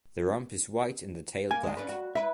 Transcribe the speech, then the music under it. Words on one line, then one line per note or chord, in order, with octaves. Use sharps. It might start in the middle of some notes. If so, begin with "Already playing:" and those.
The rump is white and the tail black.
A#3 G#5
G#3 D4
C#4 D4 B4
F#4
E4 B4 E5